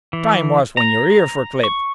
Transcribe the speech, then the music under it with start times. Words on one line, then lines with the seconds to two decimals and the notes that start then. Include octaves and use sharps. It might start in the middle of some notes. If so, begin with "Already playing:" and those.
Time was when your ears were clipped.
0.13 E3
0.77 A#5
1.64 C#6